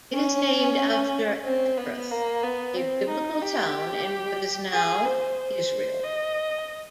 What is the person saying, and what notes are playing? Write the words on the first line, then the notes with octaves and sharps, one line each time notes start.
It is named after Ephrath, a biblical town in what is now Israel.
C#4
C4
B3
A#3
B3
C4
D#4
G4
G#4
C5
C5
D#5